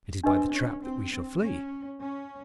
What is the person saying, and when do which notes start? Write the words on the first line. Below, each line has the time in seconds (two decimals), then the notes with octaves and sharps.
It is by the trap that we shall flee.
0.24 C4 D4 G4 B4 D#5 G#5
0.53 C#4
0.83 C4
1.12 C4
1.41 C#4
2.01 C#4